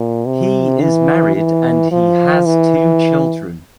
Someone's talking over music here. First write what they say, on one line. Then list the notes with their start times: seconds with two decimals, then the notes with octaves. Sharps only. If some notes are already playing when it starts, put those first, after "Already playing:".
He is married and he has two children.
Already playing: A#2
0.26 C3
0.81 E3
1.36 E3
1.91 F3
2.46 E3